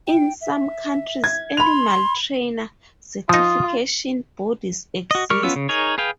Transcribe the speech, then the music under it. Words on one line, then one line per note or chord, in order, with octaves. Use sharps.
In some countries animal trainer certification bodies exist.
G5
E5
G#6
B5 C6 F7
F3 D#4 F4 D#6
F#4 D#5
G3 G4 A#4 C#6 F6
B3 C#4 F4 E6
C#3
D#4 G#4 A#4 C#5
G#4 B4 F5 G5